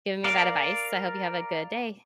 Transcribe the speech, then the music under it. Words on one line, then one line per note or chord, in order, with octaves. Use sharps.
giving me that advice. I hope you have a good day.
A#4 D5 F5